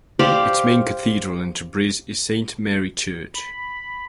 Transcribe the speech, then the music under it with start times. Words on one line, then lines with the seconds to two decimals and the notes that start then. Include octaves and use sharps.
Its main cathedral in Tabriz is Saint Mary Church.
0.19 G4 C5 D5 F5
3.35 B5